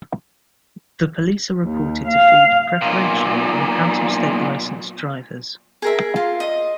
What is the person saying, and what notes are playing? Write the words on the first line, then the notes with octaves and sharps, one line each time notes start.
The police are reported to feed preferentially on out-of-state licensed drivers.
D#2
F5
B1 A#2
G#4 A#4 E5
F4
D#5